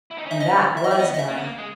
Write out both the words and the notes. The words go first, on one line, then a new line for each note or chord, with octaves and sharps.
And that was bad.
E4
D#4
C#4
D#4 E5
C#4 D#5
E5
D#5
E5
B3 D#5
D#5
E5
A#3
B3
A#3
G#3